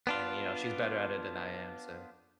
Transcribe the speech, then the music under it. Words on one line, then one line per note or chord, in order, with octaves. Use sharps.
and, you know, she's better at it than I am, so
B3 D4 F4